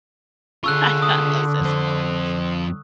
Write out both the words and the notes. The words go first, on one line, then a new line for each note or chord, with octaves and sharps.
I I love Sesame Street.
D3 F4 G#4 C#6 E6 F#6
D#6
F2 C5